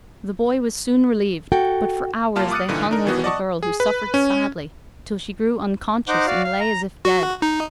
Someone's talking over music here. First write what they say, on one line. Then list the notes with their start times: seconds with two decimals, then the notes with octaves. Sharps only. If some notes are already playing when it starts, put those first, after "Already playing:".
The boy was soon relieved, but for hours they hung over the girl, who suffered sadly, till she grew unconscious and lay as if dead.
1.52 F#4 A4 G5
2.36 C2 G3 A#3 F4 A5 F6
2.51 D6 D#6 F#6 A6 C#7 D#7
2.68 G2 A#2 D3 E3 D#4
2.91 D4 D#4 A#4
3.05 B2 D#3 E3 F#3 B3 F#4
3.24 D5 D#5 F#5 A5 C#6 D#6
3.63 G#4
3.80 B4
4.14 C#4
6.08 D#4 C5 F#5 D6
6.27 F#4 D5 F5
6.44 F5
6.60 A#5
7.05 F#4
7.42 D#4